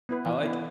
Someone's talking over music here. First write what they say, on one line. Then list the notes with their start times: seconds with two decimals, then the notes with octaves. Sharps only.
I like
0.09 B3 E4 B4
0.26 E3
0.43 B3 E4 B4